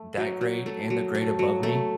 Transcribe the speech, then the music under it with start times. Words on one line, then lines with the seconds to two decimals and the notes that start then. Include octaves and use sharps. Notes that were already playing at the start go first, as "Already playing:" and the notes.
that grade and the grade above me,
Already playing: A3
0.17 F#3
0.41 F#3
0.66 A3
0.90 F#3
1.15 A3
1.39 F#3
1.63 A3